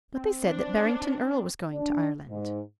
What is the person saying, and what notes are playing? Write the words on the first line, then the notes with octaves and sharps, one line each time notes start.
"But they said that Barrington Erle was going to Ireland."
C4
D4
D4
G#2